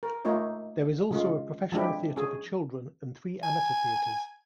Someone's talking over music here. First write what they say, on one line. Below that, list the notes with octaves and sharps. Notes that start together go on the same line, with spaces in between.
There is also a professional theatre for children and three amateur theatres.
A#4
A3 A#3 D#4 F4 C#5
C#3 G#3 F4
F3 G#3 D4 E4 G4
C#4 G#4
G#5